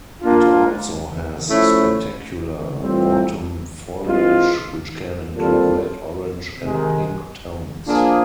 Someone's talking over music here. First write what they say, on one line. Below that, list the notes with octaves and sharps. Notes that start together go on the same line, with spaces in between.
It also has spectacular autumn foliage which can include red, orange and pink tones.
A#3 D4 F4
F3 A3 C#4 E4
A2 E3 G3 C4 F4
E3 G#3 C4 F4
A#2 G3 C4 F4 A4
C3 D#3 G#3
F3 A#3 D4 F4 G#4